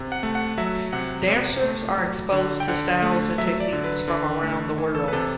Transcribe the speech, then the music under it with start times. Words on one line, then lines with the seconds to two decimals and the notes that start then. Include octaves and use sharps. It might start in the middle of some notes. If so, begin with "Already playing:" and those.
Dancers are exposed to styles and techniques from around the world.
Already playing: C3
0.12 F#5
0.23 A3
0.35 F#5
0.58 F#3 E5
0.93 C3 F#5
1.27 C3
1.63 A3
1.98 F#3
2.32 D3
2.60 G5
2.68 D3 F#5
3.02 A3
3.38 F#3 E5
3.60 D5
3.73 D3
3.84 B4
4.08 D3
4.43 A3
4.78 E3
4.95 A4
5.08 B4
5.13 C3 A4